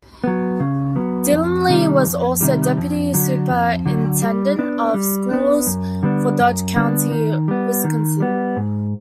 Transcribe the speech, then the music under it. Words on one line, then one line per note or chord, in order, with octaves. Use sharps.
Delaney was also deputy superintendent of schools for Dodge County, Wisconsin.
F#3 B3
C#3
F#3 B3
F2
C3 D#3 G3
F2
C3 D#3 G3
F2
D3 F#3
F2
D3 F#3
G3
B3 D4
G3
B3 D4
F#2
D3 G3 B3 D4
F#2
D3 G3 B3 D4
D#3
G3 B3
D#3
G3 B3
G#2